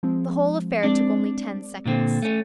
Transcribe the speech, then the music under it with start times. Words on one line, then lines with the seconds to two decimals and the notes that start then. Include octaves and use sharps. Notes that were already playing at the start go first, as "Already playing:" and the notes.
The whole affair took only ten seconds.
0.03 F3 G#3 C4
0.83 G#3 C4 D4 D5
1.86 A#2 D3 C4
2.22 A3 C#4